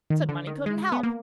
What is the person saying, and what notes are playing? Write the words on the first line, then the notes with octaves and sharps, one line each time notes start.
Said money couldn't help.
D#3
D3
D#3
G#3
B3
A#3